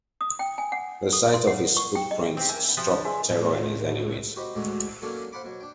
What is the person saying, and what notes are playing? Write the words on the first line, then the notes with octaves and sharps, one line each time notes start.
The sight of his footprints struck terror in his enemies.
D#6
G5
G#5
F#5
A4
C6
F#5
C#6
G5
D#5
C4 G4
A#4 E5 G#5
B3 G5
F3 G4 E5 F#6
D3 G3
D4 G#4 E5 G#5 C6
A2
F#4 G4 B4 C5 D#5
D2 G#2 G#3 D4 F#4
F#3 A#3 C#4 D4 A4 A#4
C5 F5 F#5 A5 B5 D6
B2 F#3
D4 G5